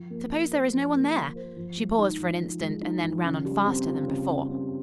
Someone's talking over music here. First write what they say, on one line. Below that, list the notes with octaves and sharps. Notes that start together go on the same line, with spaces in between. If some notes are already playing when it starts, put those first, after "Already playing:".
"Suppose there is no one there?" She paused for an instant and then ran on faster than before.
Already playing: F3
A#3
F4
C5
F3
A#3
F4
C5
F3
G#3
D#4
F3
F3
G#3
D#4
F3
C#3
G3
C4
F4
C#3
G3
C4